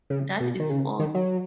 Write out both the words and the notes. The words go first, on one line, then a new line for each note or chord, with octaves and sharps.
That is force.
C#3
B2
D#3
C#3
D#3
F#3